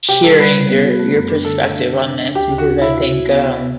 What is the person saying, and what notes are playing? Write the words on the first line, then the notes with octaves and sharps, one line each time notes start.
hearing your your perspective on this because I think, um,
C3 G4
G3 A4
G3 B4
C3
B3
F#4
A3
F#2
D4
D3 A4
A3
D4
D3
D4
D4
D2 G4
D2
F#4
D4
C3 E4
F#4
F#4
B3
C3
B3